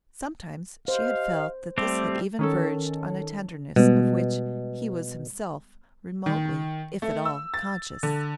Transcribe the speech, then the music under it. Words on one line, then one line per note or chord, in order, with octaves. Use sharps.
Sometimes she had felt that this had even verged on a tenderness of which he was himself remotely, if at all, conscious.
G4 C5 D#5 F5
G3 A3 C4 G4
D#3 C#4 A4
B2 G3 G#3 B3
D#3
A3
E6
A6
D3